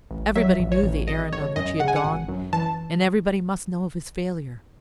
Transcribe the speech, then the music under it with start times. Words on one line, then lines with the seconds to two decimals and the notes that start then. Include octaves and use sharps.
Everybody knew the errand on which he had gone, and everybody must know of his failure.
0.11 A1
0.36 F#3 E5
0.60 A1
0.72 C#5
0.83 A1
1.07 G#1 D#5
1.32 G#1 C#5
1.56 F#2 D#5
1.80 C#3 F#5
1.88 G#5
1.96 F#5
2.04 G#1
2.28 F#2
2.53 E3 A5